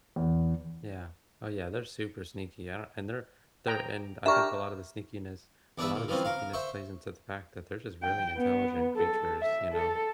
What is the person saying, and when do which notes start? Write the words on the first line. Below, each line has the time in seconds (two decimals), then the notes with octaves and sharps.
Yeah. Oh, yeah. They're super sneaky yeah and they're they're and I think a lot of the sneakiness a lot of the sneakiness plays into the fact that they're just really intelligent creatures, you know,
0.16 E2
3.67 G5 A#5
4.26 D4 G4 A#4 E5 C#6
5.78 E2 D4 G#4 B4 E5
5.96 A#2
6.08 E3 F3 G3 C4 C#4
6.25 A#4 F5
6.53 C5 E5 C#6
8.03 G5
8.38 B3
8.96 A4
9.41 E5
9.73 A4